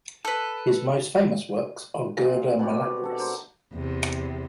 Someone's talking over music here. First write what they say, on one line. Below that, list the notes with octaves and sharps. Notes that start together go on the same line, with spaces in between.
His most famous works are Gerda malaperis!
A4 B4
A#2 C4
B2 G3 F#4 G4
D4 A4
A#4 C5 D5 F#5
E2 C3